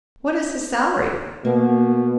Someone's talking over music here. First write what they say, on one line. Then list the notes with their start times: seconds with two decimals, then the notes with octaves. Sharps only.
"What is his salary?"
1.45 B2 A#3